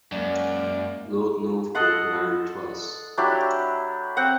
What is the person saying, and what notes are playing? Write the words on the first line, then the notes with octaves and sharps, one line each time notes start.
Lord Northbrook married twice.
F#2 G#3 A#3 D5
A4 D#5 F#5 C6
F#3 D4 E4 G4
C4 F#5